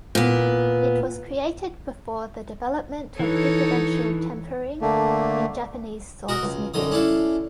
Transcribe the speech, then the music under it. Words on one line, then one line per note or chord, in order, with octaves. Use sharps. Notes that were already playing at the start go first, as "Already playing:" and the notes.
It was created before the development of differential tempering in Japanese swordsmithing.
A#2 B3
E3 D#4 A4 C#5
D3 A3 A#3
F#4 A#4 D#5
C#2
F#2 D3 D#3 D#6
C#4 D4 E4 A4 F5